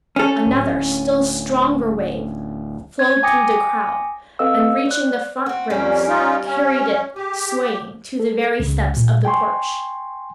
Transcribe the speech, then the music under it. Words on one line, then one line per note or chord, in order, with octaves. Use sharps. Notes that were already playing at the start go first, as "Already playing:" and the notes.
Another still stronger wave flowed through the crowd and reaching the front ranks carried it swaying to the very steps of the porch.
C#4 A4
D1
G#6
G5 G#5 D6 D#6 A#6 C#7
C4 A4 B4 D#5 F5 E6
C5 D5 F#6
C4 F#4
F2 G3 A#3 C#4
C#4 D#4 F4
C#4
G4 G#4
A4
C#2 C#3
A#2
G5 G#5 C6 C#6